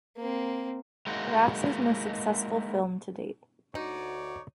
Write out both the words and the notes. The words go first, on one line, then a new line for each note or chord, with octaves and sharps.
Carax's most successful film to date.
A#3 C4
G#3 A#3 D#4 E4 F#4
D2 D#4 F#4 C#5 D5